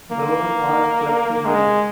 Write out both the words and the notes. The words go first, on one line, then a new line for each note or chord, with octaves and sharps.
Brown was clubwoman.
A#3
G#3